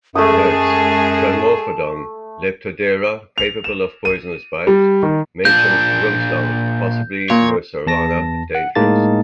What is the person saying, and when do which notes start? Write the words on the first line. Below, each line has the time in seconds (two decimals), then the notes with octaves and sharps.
Notes: "Trimorphodon", "Leptodeira" capable of poisonous bites; mentions boomslang, possibly mussurana, dangerous.
0.15 F#2 G#3 A3 G#4 A5 D#6
3.38 F7
3.64 E7
4.05 D#7
4.67 G3
5.03 D#3
5.45 A#2 D4 G6
7.30 A#2 C#5
7.86 E2 A5 A#6
8.55 F#5
8.75 A2 G#3 A#3 D#4 A5 A6